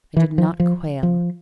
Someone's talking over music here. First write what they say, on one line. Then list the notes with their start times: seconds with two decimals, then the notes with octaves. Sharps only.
I did not quail.
0.16 E3
0.38 F3
0.60 F3
1.03 F3